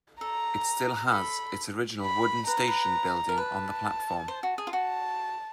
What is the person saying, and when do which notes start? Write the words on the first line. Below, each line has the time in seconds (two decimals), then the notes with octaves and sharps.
It still has its original wooden station building on the platform.
0.21 A4 A#5
1.11 A4 B5
2.02 B5
2.47 B4 A#5
2.57 C5
2.68 B4
3.29 A#4
3.37 B4 A5
4.28 C5
4.43 F#4
4.58 G#4
4.67 F4
4.73 F#4 A5